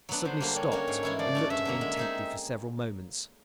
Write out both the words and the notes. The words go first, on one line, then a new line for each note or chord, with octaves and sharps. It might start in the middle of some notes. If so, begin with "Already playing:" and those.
He suddenly stopped and looked at me intently for several moments.
F#3 B3 D4
D3 C5
G3 A#3 D4
G3 C#5
A#3 C#4 F#4
G#2
E3 G#3 C#4 E4
F3 D5
A3 C#4 F#4
G2 E5
D3 F#3 A#3
G#3
C4 D#4 G#4